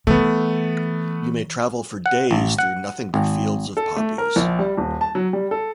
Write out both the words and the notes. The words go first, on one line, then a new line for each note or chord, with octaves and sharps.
You may travel for days through nothing but fields of poppies.
E3 A3 B3
F#5
A1
F#5
G#1
A4
A3
A#4
A#1
G3
D#1
A5
F#3
G3
A4